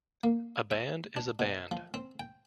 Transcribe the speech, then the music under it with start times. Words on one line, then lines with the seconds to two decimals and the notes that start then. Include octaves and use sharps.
A band is a band.
0.24 A#3
0.71 E5
1.16 D4
1.39 B2
1.71 F3
1.94 C4
2.20 G5